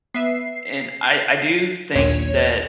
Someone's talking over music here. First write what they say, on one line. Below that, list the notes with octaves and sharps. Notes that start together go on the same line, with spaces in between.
and I I do think that
B3 B4 E5 C7
A#1 D#2 A#2 C#5